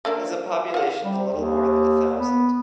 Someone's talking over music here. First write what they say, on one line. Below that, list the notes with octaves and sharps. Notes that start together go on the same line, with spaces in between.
It has a population a little more than a thousand.
A3 A#3 D4
F4 F#5
G3
D#2
B3